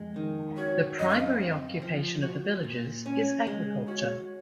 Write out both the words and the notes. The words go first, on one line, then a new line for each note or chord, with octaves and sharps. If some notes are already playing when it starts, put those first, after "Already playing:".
The primary occupation of the villagers is Agriculture.
Already playing: F2 G#3
D#3
F#4 C#5
F#2 D#5
F5
D#5
C4
F3
F#4
A#2
C#4 C#5
G#3
F#4 C#5